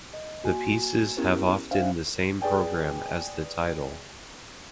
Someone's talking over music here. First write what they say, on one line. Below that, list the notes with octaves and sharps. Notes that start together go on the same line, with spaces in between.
The pieces have often the same program as the title.
D#5
A#3 F#4 G#5
B3 C#4 E4 G4 A#4
D4 C5 D5 E5 F5 G5
G#4 B4 D5 G5 G#5